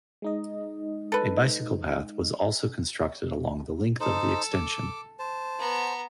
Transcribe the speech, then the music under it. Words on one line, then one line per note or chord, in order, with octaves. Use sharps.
A bicycle path was also constructed along the length of the extension.
G#3 D#4 D#5
A4 B4
D#4 A4 C5
D6
C5 A5
B3 A#5